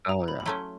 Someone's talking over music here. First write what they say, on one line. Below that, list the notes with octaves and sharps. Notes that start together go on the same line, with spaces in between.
Oh, yeah.
A#5
B5
B5
F#3 A3 C#4 E4 C6